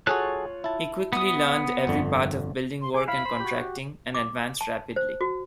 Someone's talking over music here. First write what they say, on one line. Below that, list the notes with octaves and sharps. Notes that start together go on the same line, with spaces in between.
He quickly learned every part of building work and contracting and advanced rapidly.
F4 F#4 G#4 A4 C#5 F#6
E4 A5
B3 D#6
G1 F2 D3
C6
G#4 D6
E4 F5 B5
C5
F#4 G4
D6
A5
C5
F#4